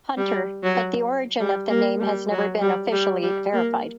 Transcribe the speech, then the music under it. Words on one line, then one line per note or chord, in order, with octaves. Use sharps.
Hunter, but the origin of the name has never been officially verified.
G3
F#3
G3
A#3
G3
F#3
G3
G3
G3
A#3